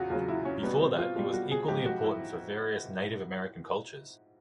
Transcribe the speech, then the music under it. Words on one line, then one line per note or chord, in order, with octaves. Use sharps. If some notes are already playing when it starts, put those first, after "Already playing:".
Before that, it was equally important for various Native American cultures.
Already playing: E2 C#3 F4 F#4
E2 C#3 F#3 F4
E4
C#4
B2 G3 B3
C4
F4
B2 G3 F4
F#4
G#4
G#2 F3 G4
F#4
E4